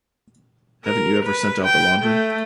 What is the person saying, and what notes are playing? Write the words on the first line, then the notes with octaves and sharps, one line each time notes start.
Haven't you ever sent out the laundry?
A#4
B4
G5
A3